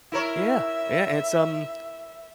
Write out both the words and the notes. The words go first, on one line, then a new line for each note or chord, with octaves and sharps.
Yeah, yeah, it's, um,
E4 A#4 C#5 E5